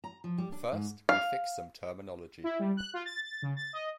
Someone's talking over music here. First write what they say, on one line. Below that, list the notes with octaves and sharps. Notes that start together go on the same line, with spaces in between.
First, we fix some terminology.
A#5
F3
G3
D4
G#2
F5
E4
G3
F#6
F4
A6
A6
C#3
A6
D#5